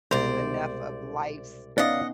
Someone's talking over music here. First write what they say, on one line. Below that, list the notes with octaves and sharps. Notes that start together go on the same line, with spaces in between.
enough of life's
C2 B2 G#3 C5 D5 A#5
B3 C#4 D#4 D5 D#5 F5 F#5